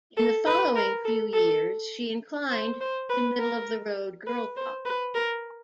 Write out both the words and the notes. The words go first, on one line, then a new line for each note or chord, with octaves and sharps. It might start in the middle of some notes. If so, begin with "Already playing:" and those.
In the following few years, she inclined to middle-of-the-road girl pop.
A4
B4
A#4
A4
A4
C5
C5
B4
A#4
B4
C5
B4
A#4